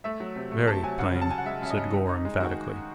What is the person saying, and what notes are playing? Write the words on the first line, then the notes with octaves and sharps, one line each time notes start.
"Very plain," said Gore, emphatically.
A3 E5
F#3
C3
A3
C3 A5
F#3 G#5
C#3 F#5
C#3
A5
C#3 G#5
F#5
G#3 E5
C#3 E5
D#5
C#3
D#4
D#4
G#3
D#3 F#4